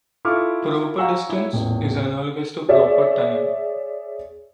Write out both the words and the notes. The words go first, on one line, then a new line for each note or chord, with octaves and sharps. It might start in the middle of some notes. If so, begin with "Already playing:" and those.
"Proper distance" is analogous to proper time.
E4 F4 A4 C#6 D6 F6
F5 F#5 G#5 A#5 C#6 E6
E4 C#5
D#1 A1 E2
G#4 C#5 D5 E5